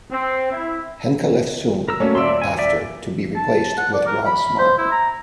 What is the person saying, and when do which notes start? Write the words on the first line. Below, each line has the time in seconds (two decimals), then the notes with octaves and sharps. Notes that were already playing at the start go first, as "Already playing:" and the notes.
Henke left soon after to be replaced with Rod Smarr.
0.12 C4
0.52 E4
1.88 A#4 E6
2.00 F#3 A3 A#3 C#4
2.15 D#1 D5 E5 C6 E6
2.42 G#5
2.59 D5 E5 D6
3.36 A5
3.78 F#5
3.94 D5
4.07 A#4
4.26 B5
4.59 C5
4.78 E4
4.92 A#5